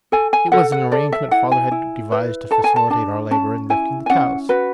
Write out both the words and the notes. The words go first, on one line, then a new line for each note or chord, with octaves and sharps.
It was an arrangement father had devised to facilitate our labour in lifting the cows.
A4 G#5
G#5
A4 F#5
F#5
A4 D5
E5
E4 F#5
G#5
E4
B4
A4 A5
G#5
A5
D4 A5
C#4 A5
E4 G#5
G#5
C#4 F#5
F#4 B4